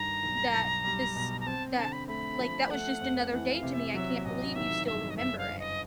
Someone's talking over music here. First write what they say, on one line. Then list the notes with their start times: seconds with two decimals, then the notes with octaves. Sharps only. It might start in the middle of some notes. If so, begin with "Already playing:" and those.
that this that, like, that was just another day to me. I can't believe you still remember it,"
Already playing: G2 D#3 A#5
0.23 B1
0.54 B1
0.84 G3
1.16 B2
1.41 A#5
1.46 C4 A5
1.77 D3 A5
1.92 B5
2.08 A3 B5
2.39 F3
2.70 A3 F#5
3.01 F2
3.32 E3 F#5
3.53 F5
3.63 C3
3.73 E5
3.94 F#3 E5
4.25 A1 D#5
4.55 D#3 E5
4.86 G2 E5
5.10 D#5
5.17 F#1 E5
5.38 F5
5.49 F#1
5.59 D#5